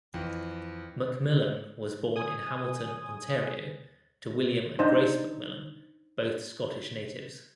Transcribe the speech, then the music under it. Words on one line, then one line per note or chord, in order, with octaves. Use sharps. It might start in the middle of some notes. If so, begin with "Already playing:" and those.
McMillan was born in Hamilton, Ontario to William and Grace McMillan, both Scottish natives.
F2 E3
G#5 D#6
D4 D#4 C5